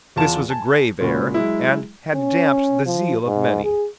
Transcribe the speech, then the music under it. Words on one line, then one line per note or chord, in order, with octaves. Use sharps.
This was a grave error, and had damped the zeal of many.
E2 F4 A5 E7
G#5 A5
A#2 C#3 G#3 F#4 B5
F#3 G#3 E4
C#4
F3
G#2
G#4